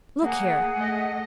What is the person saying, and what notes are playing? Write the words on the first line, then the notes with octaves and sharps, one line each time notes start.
"Look here!"
A#3 G#4 F#5
A3 D#5